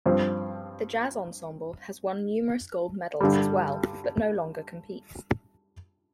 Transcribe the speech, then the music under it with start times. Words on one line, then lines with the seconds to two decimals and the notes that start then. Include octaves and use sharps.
The jazz ensemble has won numerous gold medals as well, but no longer competes.
0.06 G2 F3 C4
3.20 G2 D3 G3